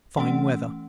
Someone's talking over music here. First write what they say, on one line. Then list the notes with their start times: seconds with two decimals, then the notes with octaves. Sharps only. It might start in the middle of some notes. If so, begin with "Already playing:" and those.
Fine weather.
0.17 E3 A3 C#4 F#5